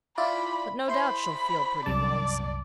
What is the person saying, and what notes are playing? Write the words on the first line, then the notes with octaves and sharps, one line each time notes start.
But no doubt she'll feel pretty lonesome.
E4 F4 D5 B5
E4 C5 B5 C6
C2 F#2 D5 A5